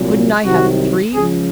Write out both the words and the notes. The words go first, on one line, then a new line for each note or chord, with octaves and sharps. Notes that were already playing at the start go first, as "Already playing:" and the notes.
Couldn't I have three?
Already playing: C2 A#2 F#3
C2 C3 D#3 F#3 F#4
C#2 C#3 F3 G#4